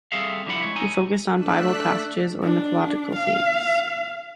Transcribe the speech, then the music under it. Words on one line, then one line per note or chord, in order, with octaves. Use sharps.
He focused on Bible passages or mythological themes.
G3 C4 G#4 A4 E5 F5
D3 F3 G3 E4 E5 F#5
G#3 C#5
D#4 A4 G#5
A3 D4 E6 F#6 B6
D4
F5